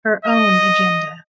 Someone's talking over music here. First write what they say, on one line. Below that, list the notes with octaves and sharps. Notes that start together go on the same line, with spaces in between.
Her own agenda.
D#5